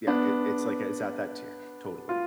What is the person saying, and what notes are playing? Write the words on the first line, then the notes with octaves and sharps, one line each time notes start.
yeah, it it's like it's at that tier, totally,
B3 D4
F4